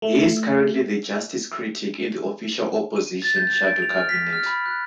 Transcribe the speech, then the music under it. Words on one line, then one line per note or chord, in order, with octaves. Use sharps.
He is currently the Justice Critic in the Official Opposition shadow cabinet.
A3
D#7
D#7
A6
G6
A6
D7
F7
F6
B6
F6
B5
F#6